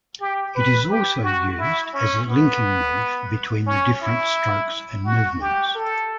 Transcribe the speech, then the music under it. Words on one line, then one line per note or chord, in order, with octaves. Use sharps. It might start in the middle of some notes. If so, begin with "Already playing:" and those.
It is also used as a linking move between the different strokes and movements.
G4
B4
G4
F#4
E4
C#4
B3
C#4
E4
F#4
G4
A4